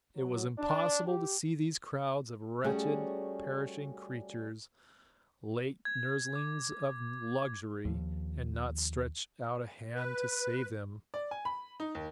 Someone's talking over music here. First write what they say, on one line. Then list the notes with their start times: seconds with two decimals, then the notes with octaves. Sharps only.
It was impossible to see these crowds of wretched, perishing creatures, late nurslings of luxury, and not stretch out a hand to save them.
0.15 F#3
0.59 D4
1.06 G4
2.64 G3 A3 C#4 F#4 G#4
5.85 G#6
6.35 D6
7.85 D#2 F3
9.95 B4
11.14 D5
11.31 G#5
11.45 B5
11.80 D#4
11.95 D#2